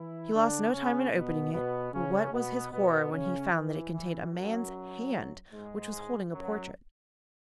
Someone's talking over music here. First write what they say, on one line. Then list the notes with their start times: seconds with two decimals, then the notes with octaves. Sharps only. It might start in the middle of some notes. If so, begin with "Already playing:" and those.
He lost no time in opening it, but what was his horror when he found that it contained a man's hand, which was holding a portrait.
Already playing: E3 E4
0.33 D3 D4
0.73 C#3 C#4
1.13 B2 B3
1.52 B2 B3
1.93 C#3 C#4
2.32 B2 B3
2.72 B2 B3
3.12 C#3 C#4
3.52 E3
3.93 E3
4.32 F#2 F#3
5.52 G#2 G#3
6.32 F#2 F#3